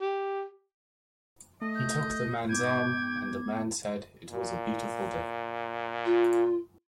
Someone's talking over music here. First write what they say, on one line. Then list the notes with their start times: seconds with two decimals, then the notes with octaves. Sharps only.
He took the man's arm, and the man said it was a beautiful day.
0.01 G4
1.61 A3 D#5
1.75 G6
2.49 G#2 B3 G5 D6 G#6
4.31 A#2
6.05 F4